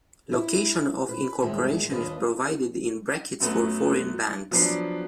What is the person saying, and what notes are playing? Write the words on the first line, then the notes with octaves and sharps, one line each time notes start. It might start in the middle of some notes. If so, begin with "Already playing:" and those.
Location of incorporation is provided in brackets for foreign banks.
E4
B4
D#2 G#2 G3 G#3 E5
D#2 D4 F4 B4 D#5
F#2 F#3 A3 B3
F3 F#3 B3 D4 C7